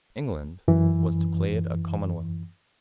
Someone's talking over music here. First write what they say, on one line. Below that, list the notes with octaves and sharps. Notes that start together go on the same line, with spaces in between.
England was declared a commonwealth.
F#2 E3